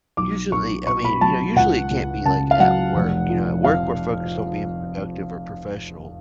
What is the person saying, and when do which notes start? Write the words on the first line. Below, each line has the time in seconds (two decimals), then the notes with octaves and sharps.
Usually, I mean, you know, usually, it can't be, like, at work, you know, at work, we're focused on being productive or professional,
0.17 B1 D6
0.52 B1 C#6
0.86 B2 C#6
1.05 B5
1.21 F#3 A5
1.56 C#2 F#5
1.91 C#2
2.25 C#3 A5
2.51 F5
2.60 F#3 F#5
2.95 F1
3.30 F3
3.64 F2 F5